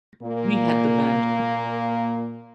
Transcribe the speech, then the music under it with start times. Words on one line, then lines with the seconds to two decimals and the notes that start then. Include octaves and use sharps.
We had the band.
0.23 A#2 A#3